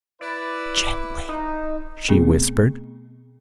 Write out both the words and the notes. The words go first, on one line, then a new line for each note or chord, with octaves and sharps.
"Gently ..." she whispered.
E4 B4 D5
D#4
B2 A3 B3 C4 G#4